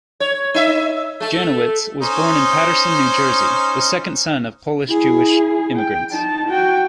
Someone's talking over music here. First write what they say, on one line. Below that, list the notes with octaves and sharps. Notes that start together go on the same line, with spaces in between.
Janowitz was born in Paterson, New Jersey, the second son of Polish-Jewish immigrants.
C#5
D#4 E5
A3 A4
C#4 D#4 C5
E4 G#4
G5
D#4 A5
F#4 G5